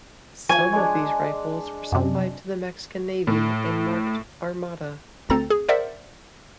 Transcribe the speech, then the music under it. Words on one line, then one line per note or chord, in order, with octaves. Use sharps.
Some of these rifles were supplied to the Mexican Navy and marked "Armada".
F3 C#5 G#5
G#3 D4
F#2 C3
A2
D2 C4 A4 A#5 A6
G#4
A#4 C5 D5 E5 F#5